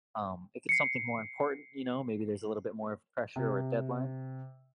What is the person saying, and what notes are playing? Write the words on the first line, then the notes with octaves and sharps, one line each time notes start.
Um, If it's something more important, you know, maybe there's a little bit more of pressure or a deadline.
C7 C#7
C3